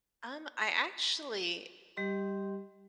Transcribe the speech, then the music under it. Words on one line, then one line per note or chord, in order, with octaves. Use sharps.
Um, I actually
G3 G4 D#5 C6